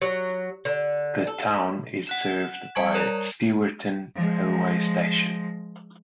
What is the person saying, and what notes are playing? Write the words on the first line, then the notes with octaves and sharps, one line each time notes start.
The town is served by Stewarton railway station.
F#3
D3
A4
F#5 F#6 E7
G3 G#5 A5 C#6 G#6
A#4 C#5 D5 A#5
F3 G#3